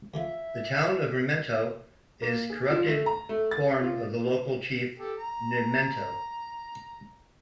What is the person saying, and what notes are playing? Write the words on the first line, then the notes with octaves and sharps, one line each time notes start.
The town of Mermentau is a corrupted form of the local chief "Nementou".
D2 C#3 F3 E5
A#3
G#4
F3
A3
A#5
A3
A6
F4
G4 A4
A#5